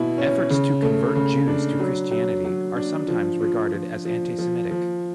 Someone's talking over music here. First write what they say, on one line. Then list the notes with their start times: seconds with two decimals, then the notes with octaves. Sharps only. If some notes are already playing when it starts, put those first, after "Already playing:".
Efforts to convert Jews to Christianity are sometimes regarded as antisemitic.
Already playing: B2 E4
0.18 C#4
0.51 C#3
0.82 A3
1.15 C#3
1.48 D4
1.80 F#3
2.11 F#3
2.45 F#3
2.76 D4
3.08 F3
3.41 F3
3.73 F3
4.05 F3
4.38 F3
4.71 F3